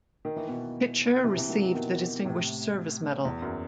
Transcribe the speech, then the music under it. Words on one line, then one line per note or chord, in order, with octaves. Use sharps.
Pitcher received the Distinguished Service Medal.
D#3
E3
B2 D#3
C3 E3
C3 E3
D#3 F#3
D#3 F#3
B2 D#3
A2 C3
E2
F#2